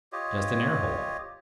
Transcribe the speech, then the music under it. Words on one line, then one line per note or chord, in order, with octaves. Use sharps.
Just an air-hole.
F4 G4 C#5 D#5